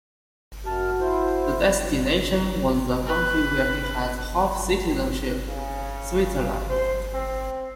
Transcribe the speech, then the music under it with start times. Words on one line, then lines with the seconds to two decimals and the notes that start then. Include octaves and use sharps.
The destination was the country where he has half-citizenship, Switzerland.
0.66 F#2 F#4 A5 F6
1.00 E4 C5
3.06 B4
5.49 C#3
6.70 C5
7.14 C4